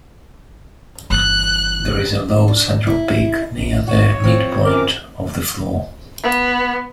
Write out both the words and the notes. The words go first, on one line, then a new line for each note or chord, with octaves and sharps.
There is a low central peak near the midpoint of the floor.
G1 E3 F#6
D4
E4
F#4 C#5
F3 C4 F4
F#2 A#4 D6
B3